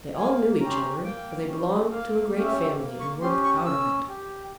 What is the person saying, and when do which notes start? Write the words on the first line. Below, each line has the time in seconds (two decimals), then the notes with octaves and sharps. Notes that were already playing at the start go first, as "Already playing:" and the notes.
They all knew each other, for they belonged to a great family, and were proud of it.
0.17 A#3 G#5
0.60 C#4 G4 A#5
0.71 C6
0.82 A#5
1.04 A#3 G5
1.47 C#4 G4
1.92 A#3 F5
2.34 C#4 G4 F5
2.43 E5
2.52 C#5
2.61 E5
2.79 A#3
3.00 C#6
3.21 C#4 G4 C6
3.44 C#6
3.64 C#4 E6
4.08 G4